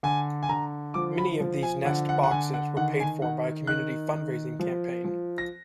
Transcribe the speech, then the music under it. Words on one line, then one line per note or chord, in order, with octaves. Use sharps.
Many of these nest boxes were paid for by a community fundraising campaign.
D3 G#5
G#5
D3 A#5
F3 D6
B5
F3
G#5
D3 F#5
F#5
F#5
D3 G#5
F#5
D#3 F#5
G#5
D#3 F#5
D#3 F#6
D#3
F3
F3
A#6